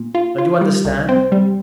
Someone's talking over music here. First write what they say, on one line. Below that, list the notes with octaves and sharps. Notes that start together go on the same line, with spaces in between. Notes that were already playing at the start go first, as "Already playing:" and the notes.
Don't you understand.
Already playing: A#2
F4
F4
G3
C2
C4
G3